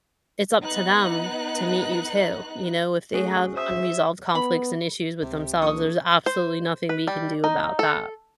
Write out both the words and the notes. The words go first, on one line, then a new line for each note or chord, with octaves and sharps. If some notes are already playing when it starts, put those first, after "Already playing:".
it's up to them to meet you too. You know, if they have unresolved conflicts and issues with themselves, there's absolutely nothing we can do about that.
B3 D#4 F#6
A3 C#4 F#4 G#4
C5 E5 D#6
B3 B5
C#2 C3 G4
A#1 A4 C#6 D#6
C5
B4
G3
D#4
A4